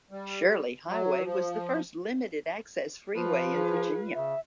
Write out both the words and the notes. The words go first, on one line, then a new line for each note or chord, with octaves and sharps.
Shirley Highway was the first limited-access freeway in Virginia.
G3
F#3
F3
F3 F4 B4
G#4
C#3 E5